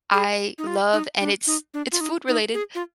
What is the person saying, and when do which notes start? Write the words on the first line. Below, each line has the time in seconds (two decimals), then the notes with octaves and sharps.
I love, and it's it's food related,
0.13 G#4
0.58 D#4
0.67 F4
0.93 D#4
1.21 D4
1.47 D#4
1.74 D4
1.92 F4
2.01 D#4
2.28 D#4
2.54 G#4
2.75 F4